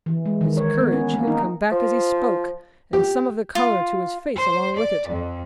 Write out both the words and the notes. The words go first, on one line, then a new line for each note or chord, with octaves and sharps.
His courage had come back as he spoke, and some of the colour to his face along with it.
E3
G#3
D#3
C#5
B3
C#4
A#3
D#4
F3
G4
F4
C5
D5
F2